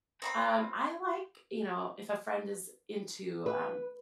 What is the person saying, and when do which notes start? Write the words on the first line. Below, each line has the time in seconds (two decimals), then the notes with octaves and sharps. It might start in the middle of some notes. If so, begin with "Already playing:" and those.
Um, I like You know, if a friend is into, um
0.22 C4 A#5 B5
3.46 B4